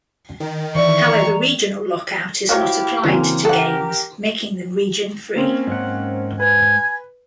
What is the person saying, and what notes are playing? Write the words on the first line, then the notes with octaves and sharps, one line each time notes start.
However regional lockout is not applied to games, making them region-free.
D#3
E3 D5 E5 C#6
A#5
F3 E4 F#4 G4 C#5 F5
C#3 E3 F#3 A#3 C4 C#4
G4 A4 A#4 F#5
A#3 C4 C#4
G#2 F#5
B4 G#5